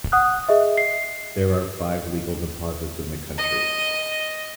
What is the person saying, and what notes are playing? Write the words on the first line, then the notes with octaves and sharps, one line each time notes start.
There are five legal deposits in the country.
F#5 D#6 F#6
G#4 D#5 E5
C7
D#5